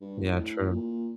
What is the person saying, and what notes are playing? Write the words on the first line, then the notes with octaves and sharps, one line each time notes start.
Yeah. True.
G2
A2
A#2